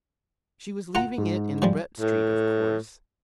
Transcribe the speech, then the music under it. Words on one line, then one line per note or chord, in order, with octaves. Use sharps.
She was leaving it in Brett Street, of course.
F4 F#5 A#5
G#2
F3 G3 G#3
A2